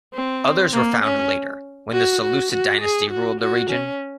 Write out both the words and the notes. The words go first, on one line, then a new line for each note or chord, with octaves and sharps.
Others were founded later, when the Seleucid dynasty ruled the region.
C4
A#3
C#4
F#4
F#4
F#4
G#4
F#4
F#4
C#4